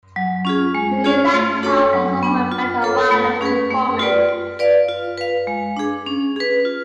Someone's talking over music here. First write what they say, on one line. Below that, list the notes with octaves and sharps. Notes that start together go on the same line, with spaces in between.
The new laptop also offered better wireless performance.
F#3
C#4 F4 G#4
G#3
C#4 F4 G#4 C#5
A3
D4 F#4 A4 C#5
F#3
B3 D4
F4
A4 C#5
A3
C#4 G#4 B4
A3
F4 B4 D5
F4
B4 D5 F5
F4
B4 F5
G#3
D4 G#4
C#4
G#4 B4
F4